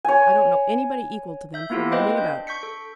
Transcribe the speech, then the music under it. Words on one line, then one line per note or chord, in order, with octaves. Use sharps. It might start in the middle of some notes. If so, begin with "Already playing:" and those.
I don't know anybody equal to them for roaming about.
C#5 G#5
E5 G6
A#3 B3 E4 F4 G4 A4
B4 C5 D#5 F5 G5
D4 G6
C#6 G6 B6 C#7
A4